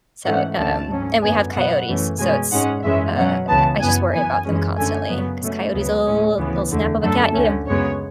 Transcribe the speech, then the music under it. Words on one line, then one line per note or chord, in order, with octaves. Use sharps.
So, um and we have coyotes so it's, uh I just worry about them constantly, 'cause coyotes'll they'll snap up a cat and eat 'em.
G#2 E3 A3 C#4 F#5
D2 D3 A3 C#4 A5
G#2 F#3 C#4
F#2 D3 F#3 B3 G#5
B2 F#3 B3 F#5
F#2 E3 A3 C#4
B2 G#3 C#4 G#5
G#2 G#3 C#4 F#5
F#2 E3 G#3 C#4 E5
B2 F#3 C#4 F#5
C#2 C#3 E3 B3 A5
F#2 E3 B3 G#5
F#2 E3 B3 G#5
F#2 E3 G#3 C#4
F#2 D3 A3 C#4 G#5
F#2 C#3 F#3 B3
B2 A3 C#4
D2 C#3 F#3 B3
A2 G#3 C#4
D2 C#3 E3 B3
E2 D3 A3
F#2 D3 F#3 A3 A4
D2 D3 A3 C#4
F#2 C#3 G#3 B3 C#5